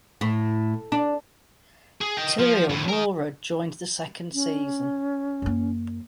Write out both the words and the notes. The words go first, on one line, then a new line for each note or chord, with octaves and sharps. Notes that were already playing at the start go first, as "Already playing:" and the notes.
Tiriel Mora joined the second season.
A2
D4
G#4
D#5 G5
F3
F2 A2
A#4 D#5
C#4
F#2 A#3